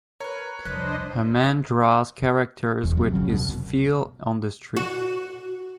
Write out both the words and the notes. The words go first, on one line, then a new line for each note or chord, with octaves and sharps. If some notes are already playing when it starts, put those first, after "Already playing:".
A man draws characters with his feel on the street.
A#4 B4 C#5
C2 F2 D4 B4 C5 D#5 F#6
E1 E2
F#2 C3
G1 C#3 F#3
C2 B2
F#4